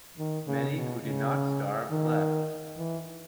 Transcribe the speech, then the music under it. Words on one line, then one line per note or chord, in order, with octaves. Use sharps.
Many who did not starve left.
D#3
C#3
B2
C#3
D#3
E3